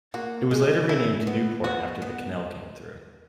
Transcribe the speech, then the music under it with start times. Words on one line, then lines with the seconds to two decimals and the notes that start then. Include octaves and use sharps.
It was later renamed Newport after the canal came through.
0.14 A#3 F#4
0.51 G#3
0.89 E4
1.27 B3
1.64 B3 F#4
2.02 B3